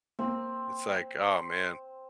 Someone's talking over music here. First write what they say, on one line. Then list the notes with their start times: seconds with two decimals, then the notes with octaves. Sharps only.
It's, like, oh, man,
0.19 A#3 C4